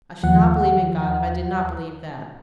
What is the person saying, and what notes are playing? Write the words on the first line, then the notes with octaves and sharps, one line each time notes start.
I should not believe in God if I did not believe that.
D#2 F3 F#5